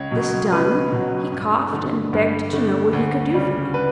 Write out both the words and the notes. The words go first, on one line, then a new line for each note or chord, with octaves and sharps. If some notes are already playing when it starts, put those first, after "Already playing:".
This done, he coughed, and begged to know what he could do for me.
Already playing: C#2 C#5
B2 F#3
C#2 B4
B2 F#3
G2
D3 A3
G2
D3 A3
D2
C#3 G3
B4